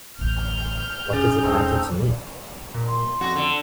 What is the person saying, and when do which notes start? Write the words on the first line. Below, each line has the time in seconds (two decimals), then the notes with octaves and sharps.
What does it matter to me?
0.19 A1 D2 F6 G6
1.13 F#2 D3 C#4 G#4 A6
1.43 E2 G#3 A3 C4 D#4
2.74 A#2
2.88 C6
3.21 F2 F#4
3.36 D3